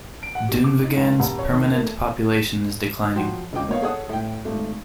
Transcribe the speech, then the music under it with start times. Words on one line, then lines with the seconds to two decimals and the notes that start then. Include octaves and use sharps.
Dunvegan's permanent population is declining.
0.23 D7
0.35 F#5
0.49 G4
0.64 D6
0.83 D#4
0.97 C#2
1.20 D#1
1.39 C#5
1.50 D#3
1.68 A#3
1.83 A3
3.15 F3 F#3 F#5 G5 C6
3.53 E1 C#3 F4 D#5 G5 D6
3.68 A#3 B3 C#5 F5
3.82 G#4 A4 C#5 F#5 D#6
4.09 A2 G5
4.45 G#1 A3